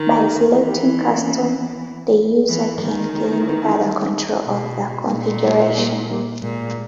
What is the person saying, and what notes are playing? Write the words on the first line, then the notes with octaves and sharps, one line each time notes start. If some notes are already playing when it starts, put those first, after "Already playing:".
By selecting Custom, the user can gain further control of the configuration.
Already playing: D#3
D#4 G4
E3 E4 G#4
D#4 G4
C#4 E4
B3 D#4
A#3 C#4
E3 G#3 B3
D#3 G3 A#3
G#3
G#3 B3
E4
B3 D#4
C#4 E4
G3
B2
A#3
A#2 G#3
G3 A#3
G3 A#3
G3 A#3
A#2 G#3